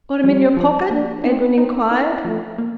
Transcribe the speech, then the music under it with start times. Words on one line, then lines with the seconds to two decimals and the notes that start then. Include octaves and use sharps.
"Got 'em in your pocket?" Edwin inquired.
0.23 F3 G3
0.57 F3
0.91 A#3 D4
1.24 C4 D#4
1.58 C4 D#4
1.91 D#4
2.25 F3 A3
2.58 A#3